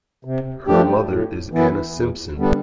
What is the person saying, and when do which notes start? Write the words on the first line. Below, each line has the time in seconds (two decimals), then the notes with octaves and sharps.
Her mother is Anna Simpson.
0.25 C3
0.67 F3 A3 D4 G4
1.09 A2
1.52 E3 B3 E4
1.95 E2
2.37 D3 G3 B3 D4